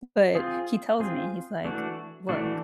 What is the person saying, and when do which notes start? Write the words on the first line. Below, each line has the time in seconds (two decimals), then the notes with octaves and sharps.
but he tells me he's, like, "Look,
0.35 C4 F4 G#4
1.00 C4 F4 G#4
1.65 E3 A3 D4 F#4
2.29 E3 A3 D4 F#4